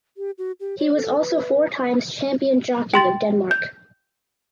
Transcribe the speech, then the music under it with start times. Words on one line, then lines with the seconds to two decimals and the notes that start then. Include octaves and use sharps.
He was also four times champion jockey of Denmark.
0.17 G4
0.38 F#4
0.60 G4
0.78 C#5
0.95 A4
1.18 B4
2.94 G5 C6 A6
3.51 G6